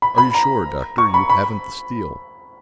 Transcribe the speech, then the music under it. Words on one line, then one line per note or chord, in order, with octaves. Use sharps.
"Are you sure, Doctor, you haven't the steel?"
B5
B5
A#5
C#6
B5
B5